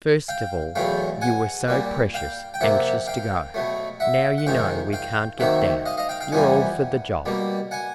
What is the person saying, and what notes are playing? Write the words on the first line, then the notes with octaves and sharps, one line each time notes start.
First of all, you were so precious anxious to go. Now you know we can't get down, you're all for the job.
F5 G5
E2 B2 F#3 A3 F5 G5
F#5 G#5
A#2 G3 A#3
F5 G5
G5
C3 F3 A#3 E5 F#5
F5 G5
B2 F#3 A3
E5 F#5
F#5
F2 C3 D#3 G#3 F5 G5
F5 G5
C3 D#3 F#3 A#3 E5 F#5
D#5 F5
D#5 F5
F5 G5
F5 G5
F2 C3 E3 G3 A#3 F#5 G#5
B2 G3 A#3
F#5 G#5